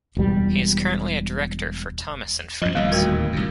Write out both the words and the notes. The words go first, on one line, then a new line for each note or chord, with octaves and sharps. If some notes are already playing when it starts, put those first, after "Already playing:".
He is currently a director for "Thomas and Friends".
E1 E2 G3
F#2 F3 D#5
D1 D#2 A#2 G3
A3 F#4 A#4
C2 F#2